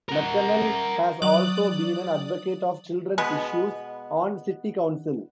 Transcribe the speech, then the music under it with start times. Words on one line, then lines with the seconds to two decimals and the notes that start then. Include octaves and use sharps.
McConnell has also been an advocate of children's issues on city council.
0.09 A#4 F#5
1.22 F#3 D5 D#6 F#7
3.18 B2 G#3 B3